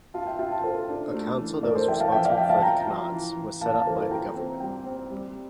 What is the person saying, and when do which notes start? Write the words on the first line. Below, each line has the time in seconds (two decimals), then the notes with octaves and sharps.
A council that was responsible for the qanats was set up by the government.
0.14 F4 F5 A5
0.26 E5 G5
0.39 F4 E5 G5
0.51 F5 A5
0.64 F4 A4 C5
0.89 D4
1.13 A3
1.38 E3
1.62 A3 A#4 D5
1.75 A4 C5
1.88 E3 E5 G5
2.00 F5 A5
2.12 F3 E5 G5
2.25 D5 F5
2.37 F4 E5 G5
2.50 F5 A5
2.62 F3 G5 A#5
2.87 F4
3.12 E3
3.37 E3
3.61 A#3 F5 A5
3.74 F5 A5
3.86 E3 A4 C5
3.98 A4 C5
4.10 F4 G5 A#5
4.36 C4
4.60 G3 G5 A#5
4.86 C4
5.10 G3